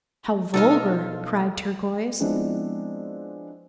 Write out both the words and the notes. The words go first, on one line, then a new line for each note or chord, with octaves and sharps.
"How vulgar!" cried Turquoise.
B1 D#4 F4 A4
F3 G#3 B3 C4 D4 E4